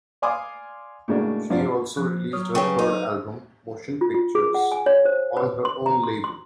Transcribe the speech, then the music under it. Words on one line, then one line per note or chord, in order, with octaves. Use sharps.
She also released her third album "Motion Pictures", on her own label.
D5 F5 G#5 C6 D6 D#6
A2 C#3 G#3 A#3 D4 F#4
F#2 F3 D4 F4
F3 F#6
F#3 C#5 C#6 D#6 F6
C#3 G3 B4 C#5 G5 C#6
D#4 A4
F4
F4
G#4
F#5
G#5
C#5
C5
B4
C6
A#5
C6
C6